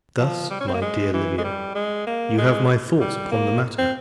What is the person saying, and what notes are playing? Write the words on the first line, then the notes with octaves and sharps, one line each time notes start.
Thus, my dear Livia, you have my thoughts upon the matter.
F3
G3
C#4
C4
A#3
G#3
E3
G#3
G3
G#3
A#3
G#3
G3
A#3
C4